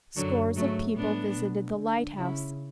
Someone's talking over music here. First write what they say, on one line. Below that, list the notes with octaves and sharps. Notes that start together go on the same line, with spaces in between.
Scores of people visited the lighthouse.
F#2 D3 F#3
G#2 F#3 A3
A2 B3 D4
B2
D3
C#3 C#4 E4